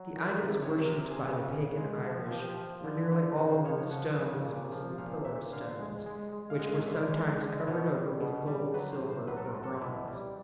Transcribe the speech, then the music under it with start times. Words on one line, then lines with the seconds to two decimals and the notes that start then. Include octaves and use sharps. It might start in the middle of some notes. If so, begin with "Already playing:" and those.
The idols worshipped by the pagan Irish were nearly all of them stones, mostly pillar-stones, which were sometimes covered over with gold, silver, or bronze.
Already playing: F#3
0.16 D#3
0.43 C3
0.62 C#5
0.69 C3 C5
0.83 A#4
0.96 C3 A#4
1.10 G#4
1.23 C#3
1.50 C#3
1.77 G#3
2.04 F3
2.30 F3 G4
2.58 F3
2.84 D3
3.11 D3
3.38 C#3 F#4
3.51 C5
3.64 F3 C#5
3.78 C#5
3.91 F3 F#5
4.18 C#3
4.45 A#2
4.72 F3
4.98 A#2 F5
5.25 A#2 E5
5.52 D3 F5
5.79 G#3
6.06 G#3
6.32 G#3
6.50 F5
6.59 G#3 F#5
6.73 F5
6.86 D3 E5
7.00 D5
7.07 C#5
7.13 G#3 C5
7.40 D3
7.49 D#5
7.67 B2 C#5
7.94 G3
8.20 B2
8.47 G3
8.74 F#3 B4
8.92 C5
9.01 A2
9.10 C5
9.27 F#3 B4
9.37 A4
9.45 A#4
9.54 F#3
9.64 A4
9.81 B2 E4
10.08 G3